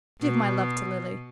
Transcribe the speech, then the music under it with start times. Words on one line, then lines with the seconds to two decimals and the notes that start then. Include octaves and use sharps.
Give my love to Lily.
0.20 B2